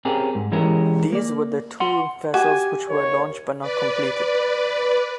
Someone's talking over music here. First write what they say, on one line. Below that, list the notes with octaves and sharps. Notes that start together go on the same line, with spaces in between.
These were the two vessels which were launched but not completed.
C4 C#4 G4 G#4 A#4
G#2
E3 G#3 C#4 G4 A#4
A#3 D5
F#5 C6
F#4 G4 G#5
D#2 C#5
B4 D5